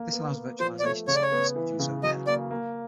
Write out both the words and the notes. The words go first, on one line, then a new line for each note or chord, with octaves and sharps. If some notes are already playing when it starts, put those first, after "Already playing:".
This allows virtualization software to reduce overhead.
Already playing: A#3
B3
B3
F3 C5
D5
A3 C#5
C#3 C#5
D5
C#5
B3
E3
C#3
F#3 D#5
A#3 D5
A#3